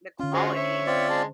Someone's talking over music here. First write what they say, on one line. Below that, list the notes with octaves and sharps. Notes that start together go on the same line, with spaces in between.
The quality,
D3 C#4 F4
G#3 F4 F#4 C5 C#6
C#5 E5
C4 F4 D5
G#3 A5